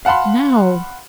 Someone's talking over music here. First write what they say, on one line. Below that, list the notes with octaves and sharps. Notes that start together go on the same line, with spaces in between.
But now!
F5 F#5 A5 B5 C6